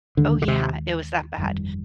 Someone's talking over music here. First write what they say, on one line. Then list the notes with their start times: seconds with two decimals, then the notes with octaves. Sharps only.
Oh, yeah. It was that bad.
0.17 D#2 D3 D#3 G#3
0.42 D3
0.48 C3
1.38 G1 F2 D#3 G3